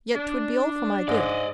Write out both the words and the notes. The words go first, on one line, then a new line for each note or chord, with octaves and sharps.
Yet 'twould be all for my good.
D4
G#2 D5 D#5